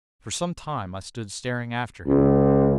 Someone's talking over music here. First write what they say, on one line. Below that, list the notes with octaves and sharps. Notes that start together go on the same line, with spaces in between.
For some time I stood staring after him.
C#2